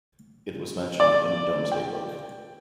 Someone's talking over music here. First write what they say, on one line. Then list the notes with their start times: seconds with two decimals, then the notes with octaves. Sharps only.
It was mentioned in Domesday Book.
1.00 D5
1.72 G5